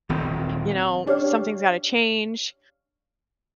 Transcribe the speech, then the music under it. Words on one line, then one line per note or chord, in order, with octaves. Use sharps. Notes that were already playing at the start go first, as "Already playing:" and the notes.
you know, something's gotta change."
D#1 D#2 D#3 C4
C#4 D4 G4 C#5 F5